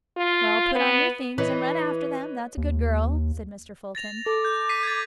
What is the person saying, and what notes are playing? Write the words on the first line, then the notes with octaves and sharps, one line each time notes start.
"Well, put on your things and run after them, that's a good girl," said Mr. Fulton.
F4
B3
E3 B4 C#5 D#5
D#2
A6 A#6 F7
A4 D6
G6
B6 C7 D#7
G#6 A6